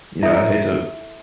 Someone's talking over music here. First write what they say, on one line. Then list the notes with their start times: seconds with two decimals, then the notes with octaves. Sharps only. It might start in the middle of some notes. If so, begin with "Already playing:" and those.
you know, I'd hate to
0.23 E4 A4 E5